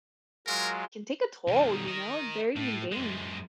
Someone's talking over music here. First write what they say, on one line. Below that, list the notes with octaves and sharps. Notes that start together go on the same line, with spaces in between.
can take a toll, you know? Very mundane.
F#3 G#3 F4 A#4
B1 D#3
A#4 D#5
A2
F#2 G#3